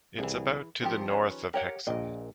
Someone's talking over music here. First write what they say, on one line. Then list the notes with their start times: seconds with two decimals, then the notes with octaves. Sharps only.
It is about to the north of Hexham.
0.19 C2 E3 G#4
0.82 D#3 F3 C4 G4
1.09 C#4 B4 C#5
1.54 G4 A#4 C#5 F#5 G5
1.87 A#1 A#2 D#5 G5